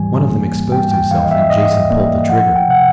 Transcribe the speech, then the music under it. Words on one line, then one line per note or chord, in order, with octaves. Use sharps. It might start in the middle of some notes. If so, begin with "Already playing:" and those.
One of them exposed himself and Jason pulled the trigger.
Already playing: G#2 E3 G3 G#5
A#3
G3 G5
G5
E3 F5
D#5
E5
G#2 D#5
A#3 D5
F3 F#5
G5
C3 F#5